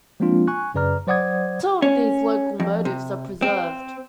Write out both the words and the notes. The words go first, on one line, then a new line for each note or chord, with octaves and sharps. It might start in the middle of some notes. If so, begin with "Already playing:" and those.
Two of these locomotives are preserved.
F3 G#3 A#3 C4 D4 F4
G#5 C#6 F#6
F#2 C#3 B4 D5 A#5 F6
F#3 C5 D5 F#5 D#6 G#6
C#4
F2
C3
C4